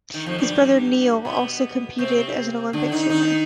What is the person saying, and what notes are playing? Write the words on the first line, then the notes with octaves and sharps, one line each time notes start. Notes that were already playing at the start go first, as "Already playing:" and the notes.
His brother Neil also competed as an Olympic swimmer.
D#3
F2 F3
G2 G3
B2 B3
C3 C4
D3 D4
D#3 D#4
D#3 D#4